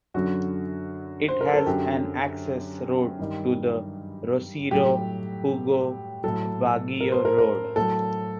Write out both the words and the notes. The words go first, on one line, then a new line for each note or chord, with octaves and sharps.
It has an access road to the Rosario-Pugo-Baguio Road.
F#2 D3 F#3 F#4
C5
A#4
A4
F#2 D3 F#3 G4
G2 D#3 G3
A2 F#3 G4
A2 F#3 A4
A#4
C5
A#4
A#4
A2 F#3 A4